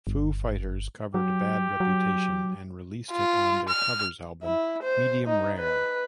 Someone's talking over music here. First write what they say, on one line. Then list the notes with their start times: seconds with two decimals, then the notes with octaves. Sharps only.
Foo Fighters covered "Bad Reputation" and released it on their covers album, "Medium Rare".
0.07 G1
1.14 F#3 G4
1.80 F#3
3.12 F4
3.69 F6
4.43 E4
4.83 C5
5.27 D#4
5.59 B4